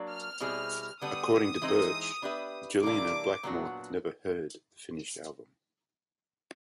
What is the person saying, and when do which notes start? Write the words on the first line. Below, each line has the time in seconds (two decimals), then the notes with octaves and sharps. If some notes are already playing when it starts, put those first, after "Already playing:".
According to Birch, Gillan and Blackmore have never heard the finished album.
Already playing: F#3 A#3 D4
0.11 F6
0.40 B2 G3 C4 E4 G#4
1.01 D3 G3 B3 D4 D#6
1.62 E3 G#3 C4 D#4
2.22 B3 D4 G4 B4 E5
2.82 C3 E3 G3 A#3 D4 D6
3.43 A#2 F#3 B3 D4 F#4